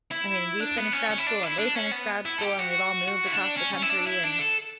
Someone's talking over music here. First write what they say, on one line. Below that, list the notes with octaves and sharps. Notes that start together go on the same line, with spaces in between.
I mean, we finished grad school and they finished grad school, and we've all moved across the country and
E4
D4
B3
C#4
C#4
E4
D4
E4
D4
C#4
B3
E4
A4
G4
F#4
F#4
E4
D4
C#4
C#4
E4
D4
E4
D4
A4